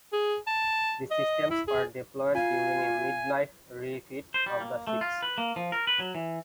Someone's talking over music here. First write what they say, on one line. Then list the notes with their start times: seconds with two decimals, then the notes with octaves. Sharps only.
The systems were deployed during a mid-life refit of the ships.
0.13 G#4
0.47 A5
1.11 D#5
1.51 E4
1.68 G#4
2.35 F4 F5 G#5
4.34 C5
4.46 G3
4.60 A#3
4.87 A3
5.01 F4
5.22 B4
5.38 A#3
5.56 F3
5.72 A#4
5.87 B4
6.00 F#3
6.15 E3